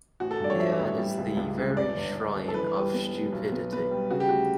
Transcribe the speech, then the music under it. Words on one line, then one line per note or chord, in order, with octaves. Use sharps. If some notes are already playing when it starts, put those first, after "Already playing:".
Here is the very shrine of stupidity...
A1 F#4
A4
G2 D5
C#5
F#3 E5
A1
G3
C#2
C#2
C#3
G1 D5
G1
G1
G1
A4
E3 B4
G3
B3
G3
B1
B3
B3 B4
G3
C#3 F#4
G4
D2 F#4